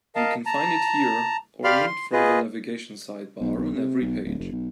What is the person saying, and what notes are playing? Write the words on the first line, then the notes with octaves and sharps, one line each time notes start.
You can find it here, or linked from the navigation sidebar on every page.
A#4 D#5 F5 A5
A5 A#5
G4 D5 F5 B5 C6 F6
C6
F4 G#4 B4 D#5
B1
B1
C3
B1
D1
F#1
B1